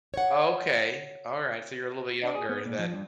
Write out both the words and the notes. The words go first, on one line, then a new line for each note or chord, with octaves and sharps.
Okay, alright. So, you're a little bit younger then.
C#5 F#5
D4
G#4
B3
A#2
F3
G2